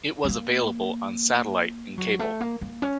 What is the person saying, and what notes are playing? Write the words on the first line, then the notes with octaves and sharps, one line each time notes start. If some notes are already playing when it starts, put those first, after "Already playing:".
It was available on satellite and cable.
C4
A#3
F#3
A3
A#3
A#3
C#4